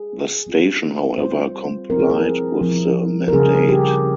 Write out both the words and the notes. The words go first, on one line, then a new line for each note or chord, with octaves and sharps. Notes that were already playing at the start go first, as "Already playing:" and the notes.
The station, however, complied with the mandate.
Already playing: G#4
G3 C4 F4
G3 C4 F4 C5
F3 C4 E4 A#4
G#4
A#4
F3 C4 E4
A#4
C#3 G3 C#4 G#4
G4